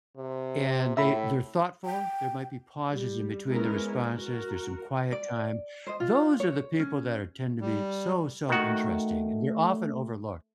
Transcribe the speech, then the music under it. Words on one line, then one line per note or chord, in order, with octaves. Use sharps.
And they they're thoughtful, there might be pauses in-between their responses, there's some quiet time, those are the people that are tend to be so, so interesting, and they're often overlooked.
C3
A2 E5 B5
G5
G3
G#3 B3 C#4 E4 A#4
F#4 A#4
D5
C5 D#5
F4
C#5
C#4
G3
D#3 A3 F#4